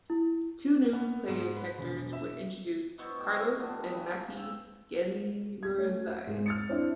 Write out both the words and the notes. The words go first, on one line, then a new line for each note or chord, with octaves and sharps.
Two new player characters were introduced: Carlos and Maki Genryusai.
E4
B3
G#2
B4
E1
E5
B2 E4 C5 C#6
A2 C3 G5 C#6
F3 G3 B3 D4
E3
C#3
C4
G#6
A3 C#4
E5
G#2 G#3
F6 A6 C#7
C4 D4 E4